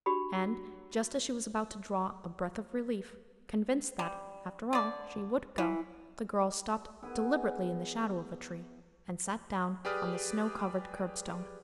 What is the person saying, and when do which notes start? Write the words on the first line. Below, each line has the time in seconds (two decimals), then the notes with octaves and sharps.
And, just as she was about to draw a breath of relief, convinced that, after all, she would go, the girl stopped deliberately in the shadow of a tree, and sat down on the snow-covered curbstone.
0.06 D4 F#4 G4 B5
3.99 G3
4.73 D3 D5
5.58 E3 E4
7.02 B3 E4 G#4 G#5
9.85 G4 G#4 B4 D5 D#6 F6